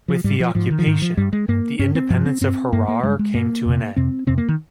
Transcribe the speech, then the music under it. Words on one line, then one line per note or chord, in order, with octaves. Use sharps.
With the occupation, the independence of Harar came to an end.
F3
G#2 G3
F3
G#2 F3
D#3
F3
G#2 D#3
F3
G2 G3
G#3
G2 A#3
G2 C#4
C4
G2 F3
C4
G2 C4
G2 A#3
A#3
G2 G#3
G#3
G2 A#3
F2 C3
F2 C3 C4
F2 C3 C4
A#3
D#3